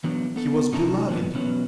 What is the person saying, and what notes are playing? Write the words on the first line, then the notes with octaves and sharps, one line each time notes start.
He was beloved.
E3 F#3 B3 D4
B3 A4
C3 C#4 D#4 E4 A5 A#5
A#2 D3 E3 F#3 B3
B2 E3 F#3 B3 C#4